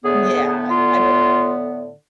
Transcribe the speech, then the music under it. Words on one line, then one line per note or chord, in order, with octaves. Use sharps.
Yeah, I would
A2 D3 B3 G#4
F4